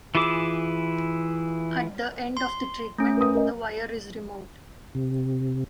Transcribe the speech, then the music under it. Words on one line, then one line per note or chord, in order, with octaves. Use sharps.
At the end of the treatment the wire is removed.
E3 E4 F4 G#4 D6
C6
A3 C#4
A#4 B4 D#6
A#4 D#5
C3